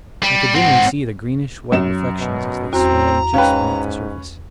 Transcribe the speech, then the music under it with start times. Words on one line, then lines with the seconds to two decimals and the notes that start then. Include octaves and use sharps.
I could dimly see their greenish-white reflections as they swam just beneath the surface.
0.23 G3
0.55 G#2 C4 F#5
1.72 F#2 E7
2.20 B2
2.73 E2 C4 F#4 A#5
3.34 G#2 C#4 B4 F5 G5